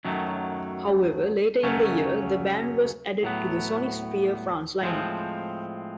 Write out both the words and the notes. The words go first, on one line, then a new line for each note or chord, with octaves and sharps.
However, later in the year the band was added to the Sonisphere France line-up.
F#2 D#3 F#3 A3
F#2 C#3 F#3 A3 C#4
A2 F#3 B3
A2 F3 G#3 C4